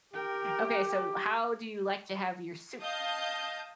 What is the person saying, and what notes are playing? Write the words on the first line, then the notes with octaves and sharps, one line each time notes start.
Okay, so how do you like to have your soup,
G4 A#4 G5
D#5 F5 A5 D#6 G6